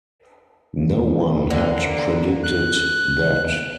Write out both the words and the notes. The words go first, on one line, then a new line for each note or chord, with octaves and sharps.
No one had predicted that.
D3 A#3
F#6